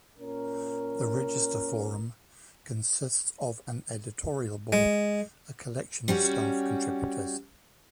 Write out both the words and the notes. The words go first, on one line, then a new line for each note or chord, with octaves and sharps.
The Register Forum consists of an editorial board, a collection of staff contributors.
A#2 C#4 A#4
G#3
G3 C#4 F#4